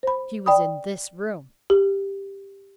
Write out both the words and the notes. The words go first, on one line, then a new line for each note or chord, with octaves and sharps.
She was in this room.
C5 B5
D5 G5 B5 D#6
G4